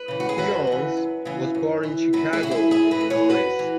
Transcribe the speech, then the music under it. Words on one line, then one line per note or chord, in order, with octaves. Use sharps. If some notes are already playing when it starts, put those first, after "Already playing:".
Jones was born in Chicago, Illinois.
Already playing: B4
C#3 E3
F#4
G#4
F#2 F#4 B4
C#3 E3
F#2
C#3 E3
F#2
E3
F#2 F#4 B4
E4 G#4
E3 F#4
E4 G#4
F#2 E4 G#4
F#4 B4
E3
G#4 C#5
F#2 F#4 B4
E3